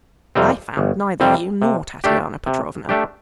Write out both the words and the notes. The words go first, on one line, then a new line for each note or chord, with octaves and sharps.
I found neither you, nor Tatyana Petrovna.
F2 C3 G3 C4
G1
F2 C3 G3 C4
C3
A3 D4 G4
C3
A3 D4 G4